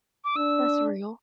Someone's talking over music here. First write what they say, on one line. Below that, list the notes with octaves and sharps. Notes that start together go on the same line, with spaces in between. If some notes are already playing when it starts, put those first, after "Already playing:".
that's real.
D6
D4 E6